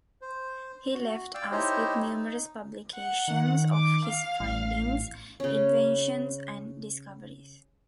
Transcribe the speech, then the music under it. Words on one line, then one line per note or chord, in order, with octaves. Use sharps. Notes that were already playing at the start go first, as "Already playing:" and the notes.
He left us with numerous publications of his findings, inventions, and discoveries.
C5
F#4
D5 F5 G5 E6
D#4 E4 G4 C5 C#5 D#5
D#4
F#5
D#3
D6
F5
A1
C#3 C#4